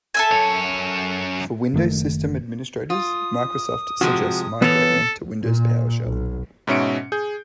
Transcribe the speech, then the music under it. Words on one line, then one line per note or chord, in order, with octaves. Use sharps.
For Windows system administrators, Microsoft suggests migrating to Windows PowerShell.
A4 E5 G#5
F#2 C#5
F#1 D#3 A3
F4 D#6
C3 F3 G#3 F#4
E3 B3 A4 C#5
A#2
B1
G#2 B2 C#4 E5 C#7 D7
G#4 G6